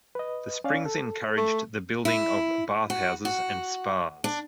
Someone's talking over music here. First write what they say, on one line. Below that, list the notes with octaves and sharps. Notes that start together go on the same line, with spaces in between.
The springs encouraged the building of bathhouses and spas.
B4 D#5
C#4 D5 F5
A4
A3
E4
F#4
F#4
D4